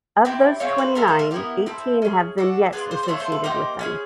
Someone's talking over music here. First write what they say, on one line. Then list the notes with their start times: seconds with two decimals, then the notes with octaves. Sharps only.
Of those twenty-nine, eighteen have vignettes associated with them.
0.25 C4 E4 G4
0.60 C4 F4 G#4 C#5
0.78 B4
0.95 A3 C#4 F4 A4 A#4
1.08 A4
1.19 A#4
1.31 B3 E4 G4 A#4
1.66 C4 E4 A4
2.02 C#4 F4 G#4
2.38 D4 F#4 A4
2.73 D4 F4 G#4 B4
2.91 C5
3.03 C5
3.08 A3 D4 F4 A4 C#5
3.20 C5
3.32 B4
3.44 A#3 D#4 G4 C5
3.79 C#4 E4 G#4